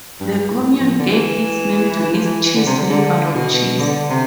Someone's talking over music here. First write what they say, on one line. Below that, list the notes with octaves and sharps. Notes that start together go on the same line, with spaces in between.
The commune gave its name to its cheese; Livarot cheese.
G2
A2
F3
D3
E3
E3
F3
E3
E3
D3
C3
D3
D3
B2
D3
C3